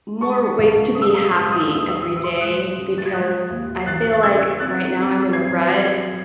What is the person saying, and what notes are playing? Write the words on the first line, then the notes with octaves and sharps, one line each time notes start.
more ways to be happy every day because I feel like right now I'm in a rut,
G#3 A5 C#6
C#2
C#3 D#6
E6
D#6
E6
D#6
G#3 E6
D#6
E6
D#6
E6
D#2 D#6
E6
D#6
E6
D#6
E6
E3
D#6
E6
C6 D#6
G#3 D#6 F#6
C#3
A6
G#6
G#3 D#6 F#6
D#2
C7
E3 F#6 A6
A6
C#3 E6 G#6
C4 F#6 A6
C4
F#3 G#6 C7
F#3 G#6 C7